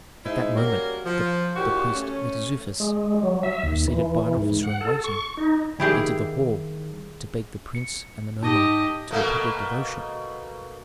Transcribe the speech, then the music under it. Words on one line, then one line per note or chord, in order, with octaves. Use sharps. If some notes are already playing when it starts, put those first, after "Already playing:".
At that moment the priest Mentezufis, preceded by an officer in waiting, entered the hall to beg the prince and the nomarch to a public devotion.
G#3 D#4 E4 C5 E5
G3 A#3 C#4 F#4 A#4
F3
D#2 A#2 F#4 G4
A3 C#4
G#3
F#3
E5
D#2
E3
G#2
F#5
A4
C#6
D#4
D#3 G3 A#3 E4 G4 G#4
C#7
G#2 D#4 G4 D#5 A5
B2 A3 A#3